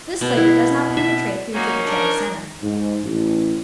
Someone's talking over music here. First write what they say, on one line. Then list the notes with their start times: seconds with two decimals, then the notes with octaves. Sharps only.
This flavor does not penetrate through to the Cheddar center.
0.21 B2
0.37 E4
0.97 E5
1.53 A#3 C#4 D#4 F#4
1.86 D4 A#4
2.63 G#2
3.04 A1